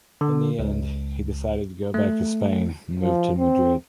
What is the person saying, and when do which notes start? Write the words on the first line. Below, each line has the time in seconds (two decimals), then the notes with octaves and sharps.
In the end he decided to go back to Spain and moved to Madrid.
0.21 D3
0.59 C#2
1.94 A3
2.99 F3
3.38 C4